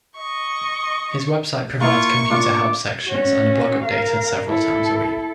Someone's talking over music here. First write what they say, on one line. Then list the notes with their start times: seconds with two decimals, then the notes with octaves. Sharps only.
His website provides computer help sections and a blog updated several times a week.
0.17 D#5 C#6
1.81 A#3 E4 F4 C#6
2.30 D4 F4 D6
3.06 C#4 F#4
3.83 A#4 F5
4.47 E4 A4